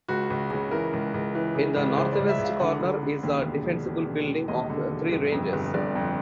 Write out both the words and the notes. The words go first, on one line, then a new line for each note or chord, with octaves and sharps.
In the northwest corner is a defensible building of three ranges.
C#2 F#4
C#2
C#3
E3 A#4
C#2
C#2
E3
C#3
C#2
C#3 C5
D5
C#2
E5
C#2
F5
D3 F#5
D3
D3
D#2
E1
E1
E1
E1
E1
D#2 D#5
D3
E1
G1
F2
G1
G1 D5
F2